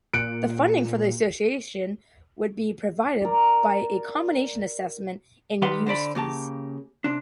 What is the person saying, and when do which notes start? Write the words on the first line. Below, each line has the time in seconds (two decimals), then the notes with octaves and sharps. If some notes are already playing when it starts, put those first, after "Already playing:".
The funding for the association would be provided by a combination assessment and use-fee's.
0.13 A#2 F#6 C#7 D7
3.21 A#4 D5
5.62 D#3 G3 G4 B4 F#5 C6
5.86 D3 C5 D5 B5
6.15 C#3 A#3 G4 A5
7.04 C3 D4